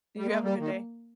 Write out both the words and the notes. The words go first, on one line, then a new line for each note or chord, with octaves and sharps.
You have a good day.
G3
G#3 A#3
G3
D#3